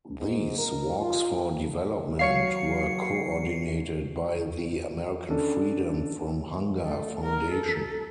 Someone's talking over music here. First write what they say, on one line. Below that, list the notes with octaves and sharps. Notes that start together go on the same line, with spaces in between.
These "Walks for Development" were coordinated by the American Freedom from Hunger Foundation.
G#2
A#4
F4
F#3 C#5 F5 C7 C#7
C#4 D4 A4
A3
A#4
A4